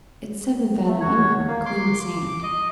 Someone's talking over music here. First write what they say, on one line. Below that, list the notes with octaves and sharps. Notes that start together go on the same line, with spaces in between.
It's seven fathom under her--clean sand.
A3
F#4 C#5
A#3
C6 D6
D6
D#5